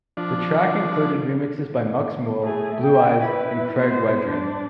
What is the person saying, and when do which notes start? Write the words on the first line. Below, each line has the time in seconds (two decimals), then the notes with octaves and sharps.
The track included remixes by Mux Mool, Blue Eyes and Craig Wedren.
0.17 F3 D4
2.43 A3 G#4
2.80 G5
3.18 E4 B4
3.74 B3 C5
4.28 D4